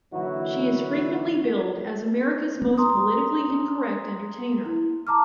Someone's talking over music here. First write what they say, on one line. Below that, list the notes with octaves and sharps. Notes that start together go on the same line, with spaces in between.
She is frequently billed as America's Most Politically Incorrect Entertainer.
A#2 D3 E3 F#3 E4 F#4
A#5 C6 D#6
E4
A5 A#5 D6 F6